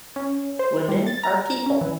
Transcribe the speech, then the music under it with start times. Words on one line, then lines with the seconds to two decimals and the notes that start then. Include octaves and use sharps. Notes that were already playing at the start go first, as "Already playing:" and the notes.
Women are people.
0.16 C#4
0.59 C5
0.88 G3
1.07 A6
1.23 A#5
1.66 C#4
1.81 E3